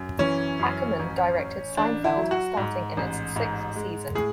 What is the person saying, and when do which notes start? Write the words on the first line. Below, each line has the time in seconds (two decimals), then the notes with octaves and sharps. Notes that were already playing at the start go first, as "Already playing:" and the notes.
Ackerman directed "Seinfeld" starting in its sixth season.
Already playing: F#2
0.19 E3 C#4
0.59 F#2
0.99 A1
1.39 A1
1.77 A1 D4
2.04 E4
2.17 F#3
2.31 F#4
2.57 G#2
2.97 A1
3.36 G#2
3.76 G#3
4.15 A2 G#4